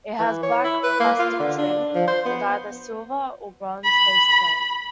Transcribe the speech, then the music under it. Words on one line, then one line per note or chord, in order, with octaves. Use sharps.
It has black plastic trim with either a silver or bronze face plate.
E3
C#5
E4
B4
A#3
F4
D3
D4
F3
C5
B3
B5